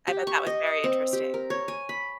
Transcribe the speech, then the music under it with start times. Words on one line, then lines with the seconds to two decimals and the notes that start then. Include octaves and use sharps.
I bet that was very interesting.
0.07 G4
0.27 C#6
0.47 D#5
0.84 C4
1.13 G4
1.34 A#4
1.50 C#5
1.68 G#5
1.89 B5